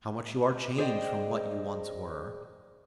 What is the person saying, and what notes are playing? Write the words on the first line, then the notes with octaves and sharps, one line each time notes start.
How much you are changed from what you once were!
G#4 C5 D5 D#5 G5